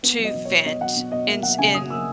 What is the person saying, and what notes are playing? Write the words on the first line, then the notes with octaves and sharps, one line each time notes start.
to vent in s in
B3
F#3
D#5
B2
B2 C#5
B3 D#5
F#3 F#5
B2
B2 D#5
A#3 E5
F#3 F#5
C#3 G#5
C#3 D#6
A#3 E6